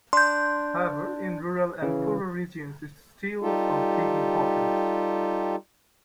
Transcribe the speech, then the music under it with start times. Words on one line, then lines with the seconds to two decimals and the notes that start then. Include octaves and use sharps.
However, in rural and poorer regions it's still of big importance.
0.13 D4 C6 G6
1.82 C#3 E3
3.42 G3 D#4 F4 G4 A4